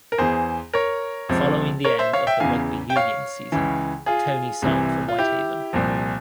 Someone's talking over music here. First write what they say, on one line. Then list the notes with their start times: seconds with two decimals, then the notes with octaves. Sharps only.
Following the end of the Rugby union season Tony signed for Whitehaven.
0.12 A#4
0.18 E2 E3 G#4 C5
0.74 A#4 C#5
1.29 C#2 C3 F3
1.84 A#4 C#5
1.99 C5 E5
2.13 C#5 F5
2.27 E5 G5
2.40 E2 C#3 E3 F5 G#5
2.90 G5
2.96 C#5 F5
3.52 C#2 C#3 E3
4.06 F4 G#4
4.62 C2 C3 E3
5.08 F4
5.18 E4 G4
5.73 C2 A#2 F3